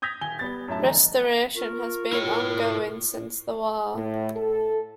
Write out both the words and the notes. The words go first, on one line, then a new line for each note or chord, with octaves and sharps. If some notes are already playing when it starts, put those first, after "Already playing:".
Restoration has been ongoing since the war.
D#6 G6 G#6 A#6 B6 F7
D#1 G#5 G7
G3 B3 A6
F#2 A2 E5 A5
E2 D3 D#5 A#5
F4 A#4 C#6
E4 C#5
A2
A4